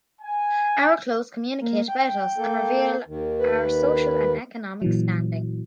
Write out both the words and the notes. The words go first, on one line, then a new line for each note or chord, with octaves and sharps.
Our clothes communicate about us and reveal our social and economic standing.
G#5
A#3
G5
A#3 A4
D#2 D#3
B4
A#2 E3 F#3